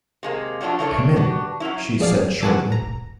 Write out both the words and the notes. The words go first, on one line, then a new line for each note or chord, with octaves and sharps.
"Come in," she said shortly.
C3 G#3 A#3
F3 F#3 A3 D4 F4
C#3 E3 A3 D4 A4 C#5
D4 F#4 G4 B4
F#2 F#3 C#4 E4
F3 G#4 D5 F5
F#5 G#5 A5 D6 E6
A#5